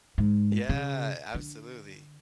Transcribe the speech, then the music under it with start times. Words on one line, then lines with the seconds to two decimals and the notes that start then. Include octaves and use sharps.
Yeah, absolutely.
0.18 G#2
0.69 C#3
1.35 D3